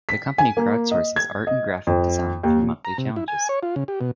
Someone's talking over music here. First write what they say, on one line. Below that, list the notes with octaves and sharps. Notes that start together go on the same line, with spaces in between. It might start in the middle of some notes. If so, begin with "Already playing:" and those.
The company crowdsources art and graphic design through monthly challenges.
B6
G#5
A#3
D#5
G#6
D#5
F2
D#2
A#2
A#5
C3
E4
G#5
C#5
F4
C#3
G4
B2